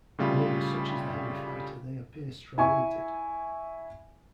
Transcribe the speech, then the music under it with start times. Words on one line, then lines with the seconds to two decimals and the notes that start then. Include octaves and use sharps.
On others such as the heavy fighter they appear striated.
0.18 A2 C#3 G3 F4
2.58 E4 G#5 C#6